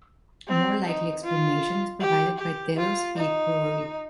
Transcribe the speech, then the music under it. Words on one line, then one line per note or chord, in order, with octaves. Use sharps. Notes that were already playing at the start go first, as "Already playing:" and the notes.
A more likely explanation is provided by Devil's Peak Brewery.
C4
D#4
F4
G4
G4
F4
D#4